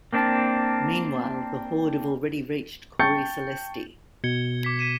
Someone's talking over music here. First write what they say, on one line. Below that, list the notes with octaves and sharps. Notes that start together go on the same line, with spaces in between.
Meanwhile, the Horde have already reached Cori Celesti.
A#3 C4 D4
G5 A5 C#6 G6 A6 C#7
B2 G#6 C#7 G7
D6 B6
B6 D#7 E7